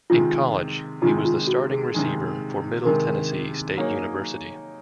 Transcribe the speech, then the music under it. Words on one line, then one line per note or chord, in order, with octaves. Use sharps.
In college, he was the starting receiver for Middle Tennessee State University.
C3 D#3 G#3 F4
C3 D#3 G#3 F4
F4
F#4
G#4
C3 D#3 G#3
C3 D#3 G#3 A#4
F#3 A#3 D#4 G#4 C#5